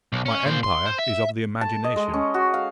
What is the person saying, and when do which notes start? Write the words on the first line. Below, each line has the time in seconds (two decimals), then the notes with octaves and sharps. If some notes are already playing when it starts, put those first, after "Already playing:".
My empire is of the imagination.
0.13 B1
0.26 C#4
0.46 A#2 C5
0.63 C6
0.86 C5
0.98 E5
1.61 A5
1.84 D#5
1.96 G#3
2.13 C#4
2.34 F#4
2.54 F5